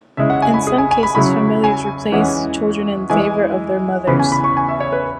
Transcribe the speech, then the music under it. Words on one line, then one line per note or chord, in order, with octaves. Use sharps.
In some cases familiars replace children in the favour of their mothers.
C#3 G#3 E4 E5
F#5
G#5
B5
G#4
G#5
G#5
B5
C#3 F#3 E4 B5
G#5
E3 G#3 C#4 E4 F#5
E3 G#3 E4 G#5
C#3 E3 B3 B5
G#5
B5
C#6
G#5
E5
C#5
B4